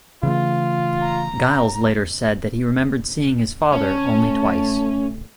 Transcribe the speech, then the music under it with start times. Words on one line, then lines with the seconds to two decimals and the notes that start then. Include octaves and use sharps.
Giles later said that he remembered seeing his father only twice.
0.23 C#3 E3 A3 F4
1.02 A#5
3.72 C#4 A5
4.06 A3